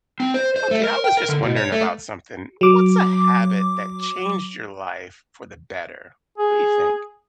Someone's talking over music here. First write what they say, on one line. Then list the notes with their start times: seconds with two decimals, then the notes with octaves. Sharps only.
Okay, I was just wondering about something. What's a habit that changed your life for the better? What do you think?
0.20 C4
0.34 C5
0.56 C5
0.71 A3
0.83 A#4
1.04 G5
1.17 A#4
1.29 D3
1.43 B2
1.56 C#5
1.72 A3
2.61 F#3 D6
6.38 G#4